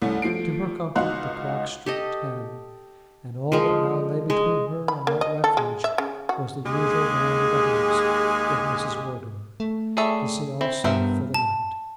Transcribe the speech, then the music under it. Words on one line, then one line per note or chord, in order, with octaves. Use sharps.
To her comfort the clock struck ten, and all that now lay between her and that refuge was the usual round of the house with Mrs. Wardour, to see all safe for the night.
C2 A3 C#4
F3 A3 C7 D7
C#2 D#4 F#4 F5 C6 F#6
G4 A4 D#5
F3 G#3
G#3
B5
A#3
D#5
A4
G#3
E5
C#3
F#4
D#2 G#3 G4 G#4
A3
G3 G#4 A4 C#5 E5 A5
C4 E4
G2 B3 A#4 C5 E5
A5